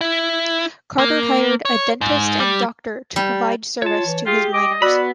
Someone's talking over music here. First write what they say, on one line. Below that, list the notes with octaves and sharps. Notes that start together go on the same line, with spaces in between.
Carter hired a dentist and doctor to provide service to his miners.
E4
A#3
C#5
G#2
G3
G3
F4 C#5 A5
E3
F4 G4 G#4
D#5 D6
B3 F#4 D5 B5 E6 F#6